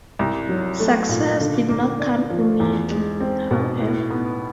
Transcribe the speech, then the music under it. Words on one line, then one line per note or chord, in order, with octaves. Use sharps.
Success did not come immediately, however.
C2
F#3
A3
A#2
D3
A#3
D4
F3
E2
G#3
C4
B2
A2
B3